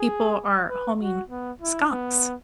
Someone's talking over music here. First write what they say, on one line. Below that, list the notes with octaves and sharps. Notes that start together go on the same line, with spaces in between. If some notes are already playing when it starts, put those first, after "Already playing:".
people are homing skunks.
Already playing: G#4
B4
F#4
B3
E4
B3